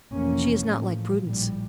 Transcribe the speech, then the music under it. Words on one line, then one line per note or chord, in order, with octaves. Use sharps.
"She is not like Prudence."
F1 F2 E3 A#3 C#4
A1 A2 F3
A#1 A2 G3